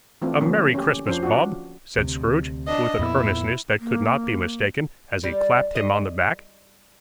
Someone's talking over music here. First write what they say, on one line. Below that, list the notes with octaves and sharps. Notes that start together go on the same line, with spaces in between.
'A merry Christmas, Bob!' said Scrooge, with an earnestness that could not be mistaken, as he clapped him on the back.
E3 A3 C4 D4 F4
D3 F3 A#3 C#4
A3
C#4 G4
F3 C#4 D4 C5
D4 F4 F#4
D2 C3
D4 D#5
F2 A#2 B3 E4
A#3
G3
D#5